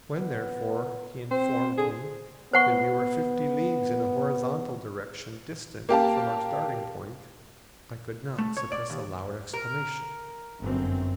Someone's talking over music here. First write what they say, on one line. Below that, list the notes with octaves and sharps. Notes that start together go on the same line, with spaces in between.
When, therefore, he informed me that we were fifty leagues in a horizontal direction distant from our starting point, I could not suppress a loud exclamation.
B3
C4 C5
D3 G#4
B3 C5 F#5 C#6
A#3 G4 F5 A5
A3
C#5
D5
D#2
A#4
G1 F#2 C4